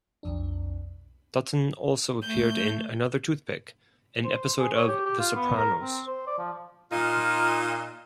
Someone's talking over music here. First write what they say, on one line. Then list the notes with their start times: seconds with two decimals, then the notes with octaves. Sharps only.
Dutton also appeared in "Another Toothpick," an episode of "The Sopranos".
0.23 B1 F2 D4
2.21 A3 G6
4.24 C5
4.59 G#4
4.75 C#5
4.88 G4
5.06 G4
5.19 F4
5.36 B3
5.57 A#4
5.82 C4
6.07 C5
6.27 D5
6.39 F3
6.91 A#2 D#4 F4